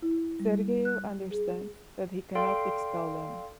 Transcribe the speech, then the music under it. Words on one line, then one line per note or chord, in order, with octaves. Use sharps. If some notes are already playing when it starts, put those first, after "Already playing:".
Sergeyev understands that he cannot expel them.
E4
G3
F#6
G#4
A4 D5 F5 G5 C6